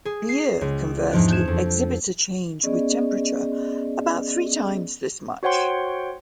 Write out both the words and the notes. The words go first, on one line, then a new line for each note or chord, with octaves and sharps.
Beer, conversely, exhibits a change with temperature about three times this much.
G#4
C7
C#2
E2 G#2 F3 D4 F#6
G6 G#6 E7
F2
B3 C#4 G#4 D5 D#5
F#4 C5 C#5 F#5 G5 C6